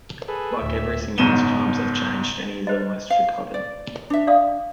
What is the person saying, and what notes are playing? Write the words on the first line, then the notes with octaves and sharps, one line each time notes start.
Like everything else, times have changed and he is almost forgotten.
G#4 A4 B4
D2 A2 E5
F#1 G#2 B2 D#7 E7 G7
B4 C5 D#5
F5
D5
D4 E5
D5 F5 D#6